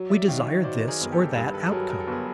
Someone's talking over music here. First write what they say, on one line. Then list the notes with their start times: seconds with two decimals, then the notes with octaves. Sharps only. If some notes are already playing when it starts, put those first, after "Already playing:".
We desire this or that outcome.
Already playing: F#3
0.10 D5 E5
0.28 D#3 D#5 F5
0.46 C#5 D#5
0.64 F#3 C5 D5
0.88 G#4 A#4
1.00 G1
1.12 G4 A4
1.32 B4
1.36 G2 G#4 A#4
1.54 A4 B4
1.65 A4
1.71 F#3 G#4 A#4
1.89 A#4
2.00 A4
2.07 G1 G#4